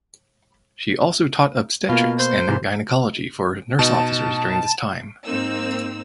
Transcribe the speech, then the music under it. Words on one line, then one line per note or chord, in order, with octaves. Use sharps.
She also taught obstetrics and gynecology for nurse officers during this time.
B2 A#3 F4
C5
G#2 C3 E3
B2 D#4 A5
G#2 A#3 C4 D#4 E6